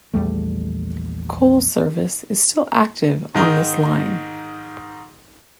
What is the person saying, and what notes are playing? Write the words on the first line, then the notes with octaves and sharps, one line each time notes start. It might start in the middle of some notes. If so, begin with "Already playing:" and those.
Coal service is still active on this line.
A#1 E2 G3 A3
G#2 D#3 D#4